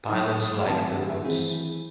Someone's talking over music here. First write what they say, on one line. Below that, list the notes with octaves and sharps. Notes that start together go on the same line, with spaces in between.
Pilots like the woods.
F#3 A3 D#4 D#6
D#6
D#6
C6
D#3 F#3 A3 C4 A5
G#5
E5
F#5
E5
E3 C4 E4 G#4